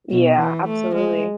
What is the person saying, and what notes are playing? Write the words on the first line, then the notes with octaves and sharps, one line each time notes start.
Yeah, absolutely.
B2
E3
A3
G#3